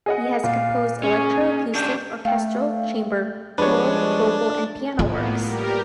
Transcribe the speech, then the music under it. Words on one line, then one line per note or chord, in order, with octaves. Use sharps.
He has composed electroacoustic, orchestral, chamber, choral, vocal and piano works.
G#4 D#5 F#5
A#2 F5
C#4 G#4
C#4 D4 G4 G6
A3 F5 G5
F3 G3 G#3 D4 B4 C#5
A2 A#3 B3 F4
G3 G4 A#4